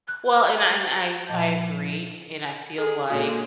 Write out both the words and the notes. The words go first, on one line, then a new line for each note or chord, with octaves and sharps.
Well, and I and I I agree. And I feel like
F#6
A#2 F3 D#5 A5 G6
G#4 A4
A#2 D3 G#3 F#4